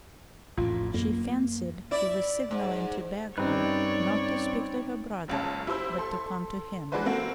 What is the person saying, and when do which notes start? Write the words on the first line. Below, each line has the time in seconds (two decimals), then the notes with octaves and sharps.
She fancied he was signalling to beg her not to speak to her brother, but to come to him.
0.58 A1 F2 A2 F4
0.94 F#2 A#3
1.91 E4 D5
2.51 G#2
3.38 G2 G3 C4 C#4 D#4 B4 C#5 D5
5.28 F#1 C#2 C#4 A5
5.67 E4 G4 C5 E6
5.98 A4 C6
6.92 E3 G#3 D4 F#4 B4 C5
7.05 A3 A#3 C4 F#4